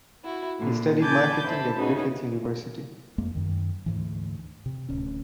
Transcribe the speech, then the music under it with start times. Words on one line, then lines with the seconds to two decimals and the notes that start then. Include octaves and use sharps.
He studied marketing at Griffith University.
0.24 E4 F#4
0.59 A#2 D3
1.02 G#5 A5 B5 D6 G6
1.46 C5 E5 A5 B5
1.75 C#3 C#4 D#4 F#4 G#4 B4
3.18 F2 G#3 A#3
3.35 F#2 D#3
3.86 D2 G#2 E3
4.66 C3
4.89 D1 C#4